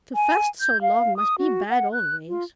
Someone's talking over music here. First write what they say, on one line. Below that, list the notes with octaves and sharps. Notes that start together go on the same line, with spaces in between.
"To fast so long must be bad always."
G#5
G6
F5
D#6
F#4
F#5
F#6
F4